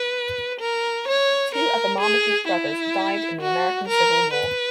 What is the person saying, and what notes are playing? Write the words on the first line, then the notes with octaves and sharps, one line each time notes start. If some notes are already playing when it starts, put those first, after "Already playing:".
Two other Marmaduke brothers died in the American Civil War.
Already playing: B4
A#4
C#5
A#4
G#4
E4
F#4
A#4
B4